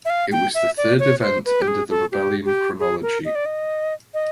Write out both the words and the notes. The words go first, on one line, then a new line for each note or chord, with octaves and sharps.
It was the third event under the Rebellion chronology.
E5
F5
G5
E5
D5
C#5
C5
B4
G4
G#4
A4
G4
G4
G#4
A#4
D#5
D5
D#5
D#5